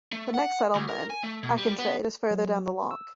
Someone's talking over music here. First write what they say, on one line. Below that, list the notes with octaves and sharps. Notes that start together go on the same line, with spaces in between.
The next settlement, Achintraid, is further down the loch.
A3
F#5
D2
A#4
G#5
A3
B2
G3
B3
F#3
E6